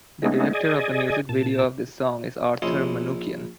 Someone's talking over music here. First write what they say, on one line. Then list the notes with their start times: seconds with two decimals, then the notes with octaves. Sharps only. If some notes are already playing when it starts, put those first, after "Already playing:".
The director of the music video of this song is Arthur Manukyan.
0.22 G#3 A3 B3 C#4 D#4
0.53 G#4 D5 D#5 G#5
1.29 A#2 A5
2.62 A#1 C#4 E4 D#5 C6